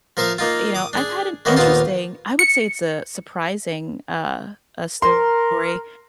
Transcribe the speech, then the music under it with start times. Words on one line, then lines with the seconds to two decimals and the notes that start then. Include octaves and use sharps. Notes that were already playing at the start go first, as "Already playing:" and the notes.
you know, I've had an interesting I would say it's a surprising, uh, uh, story.
0.17 F3 A#4 C5 E5 F5
0.38 A#3 D#4 F4
0.75 D6 D#6
0.93 D4 G#4
1.45 D#3 E3 A#3 B3 C#4
1.56 A#1 D#2 B3 D#4 F4 C5
2.39 C#7
5.02 A#4 C6